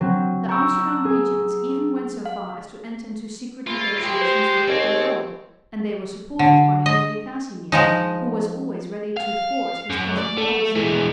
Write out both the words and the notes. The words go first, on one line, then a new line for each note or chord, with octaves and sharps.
The Amsterdam regents even went so far as to enter into secret negotiations with D'Avaux; and they were supported by Henry Casimir, who was always ready to thwart his cousin's policy.
F#3 C4
A#5 C#6 E6 G6 D7
G#4
F5
C#3 E3 A#3 F4
G4 G#4 C6
F4 C5
D#2 C4 G#4 C#5 D5
D3
D#5
F3 G#3 D#4
F5
F#2
D5
A3
E3 G#3